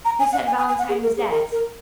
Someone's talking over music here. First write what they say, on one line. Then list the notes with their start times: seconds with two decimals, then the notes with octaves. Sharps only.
"Who said Valentine was dead?"
0.05 A#5
0.19 G#5
0.33 F#5
0.47 G#5
0.57 G#5
0.68 G#5
0.78 F#5
0.89 G#4
1.03 A#4
1.17 G#4
1.31 A#4
1.52 A#4